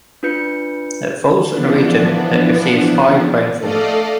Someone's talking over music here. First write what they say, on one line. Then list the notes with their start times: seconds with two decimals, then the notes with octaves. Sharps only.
It falls in a region that receives high rainfall.
0.23 D4 F4 B4 G6 C#7
1.51 E3 F3 B3 D4
3.57 A3 A4 D5 D#5 F5